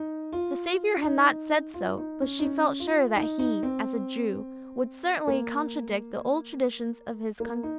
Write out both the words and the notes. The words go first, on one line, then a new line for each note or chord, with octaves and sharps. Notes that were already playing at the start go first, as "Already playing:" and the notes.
The Saviour had not said so, but she felt sure that He, as a Jew, would certainly contradict the old traditions of his countrymen.
Already playing: D#4
F4
D#4
F4
D#4
C#4
D#4
C#4
F4
D#4
D#4
C4
A#3
A#3
D#4